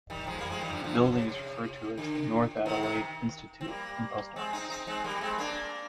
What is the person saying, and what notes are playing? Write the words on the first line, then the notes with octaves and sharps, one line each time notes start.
The building is referred to as the North Adelaide Institute and Post Office.
D#3 G3
F3 G#3
G3 A#3
F3 G#3
D#3 G3
D3 F3
D3 F3
D3
C3
C3
D3
C3 D#3
C3 D#3
C4
G3 A#3
G#3 C4
C4 D#4
C4 D#4
G#3 C4
G3 A#3
G#3 C4
A#3 D4